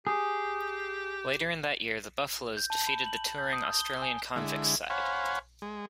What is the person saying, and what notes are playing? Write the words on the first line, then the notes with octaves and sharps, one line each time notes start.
Later in that year, the Buffaloes defeated the touring Australian Convicts side.
G4 G#4
G6
A5
B5
F#7
G6
D#6
G7
G#5
D3 G#3 E4
C5 C#5 F5 F#5 G#5 B5
G#3